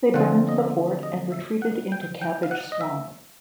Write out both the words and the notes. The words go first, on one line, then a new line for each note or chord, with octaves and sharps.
They burned the fort and retreated into Cabbage Swamp.
D3 F3 A3 C4 F4 F#5
D#5
E5
D#5
E5
F#5
G5
G5
F5
F#5
D#5
E5